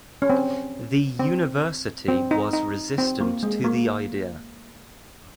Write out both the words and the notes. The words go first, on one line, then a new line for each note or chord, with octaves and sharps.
The university was resistant to the idea.
C#4
C4
C4
C4
D#4
D#4
C4
A#3
G#3
A#3